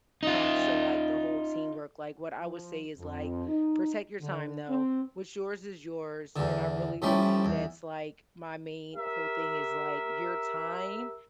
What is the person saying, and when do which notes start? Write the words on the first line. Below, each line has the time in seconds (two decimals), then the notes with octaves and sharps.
Come to, like, the whole teamwork, like, what I would say is, like, "Protect your time, though. What's yours is yours." And I really believe that's, like, my main whole thing is, like, your time
0.23 D#4 F4
2.40 F3
2.98 F2
3.46 D#4
4.19 D3
4.67 C4
6.36 E2 D3
7.02 A2 F3 G3 C#4
7.45 E2
8.95 G4 A#4 E5